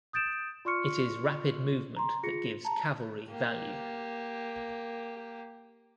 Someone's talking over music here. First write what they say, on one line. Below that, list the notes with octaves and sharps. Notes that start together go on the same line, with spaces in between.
It is rapid movement that gives cavalry value.
D#6 G6 A6 D7 E7
F4 D5 C6 C#6 F6 C#7
A#5 C6
F4 G#4 A#6 C#7
A5 A#5
A#3 G4